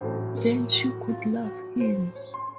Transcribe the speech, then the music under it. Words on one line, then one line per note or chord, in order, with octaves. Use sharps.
Then she could love him.
A1 A2 F#3 A3 C5
A#4
F#4
F4
F#4
C5
C#5
C6